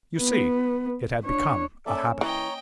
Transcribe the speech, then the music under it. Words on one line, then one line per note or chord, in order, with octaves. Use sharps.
You see, it had become a habit.
B3
D4 C#5
A#3 C#4 A4 D5 E5 E6
E3 C#5 D#5 G5 A#5